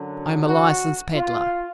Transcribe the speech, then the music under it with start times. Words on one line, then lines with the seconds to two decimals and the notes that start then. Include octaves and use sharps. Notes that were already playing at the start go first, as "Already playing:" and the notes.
I am a licensed peddler.
Already playing: F#2 D3 F#3
0.44 F#4
1.15 F4